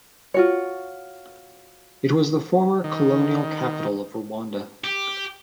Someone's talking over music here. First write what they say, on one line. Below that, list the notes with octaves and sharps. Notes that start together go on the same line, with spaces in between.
It was the formal colonial capital of Rwanda.
F4 F#4 C#5
D#3
G4